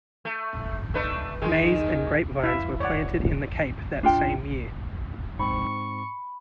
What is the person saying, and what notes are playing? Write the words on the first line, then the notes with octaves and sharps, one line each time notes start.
Maize and Grape vines were planted in the Cape that same year.
A3
A3 D4 B4
D#3 G#3 D#4
E4 E5 F5
C#5 D5 F#5
D4 F4 G5
G#2 C4 B5 C#6